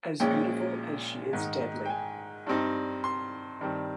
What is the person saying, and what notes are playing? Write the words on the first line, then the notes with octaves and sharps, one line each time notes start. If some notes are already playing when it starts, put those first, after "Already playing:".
As beautiful as she is deadly.
A#1 A#2 G#3 C#4 G5
G#2 D#3 G#3 D#4
G5
G#5
G2 G3 C4 D#4
C6
G2 D#3 G3 C4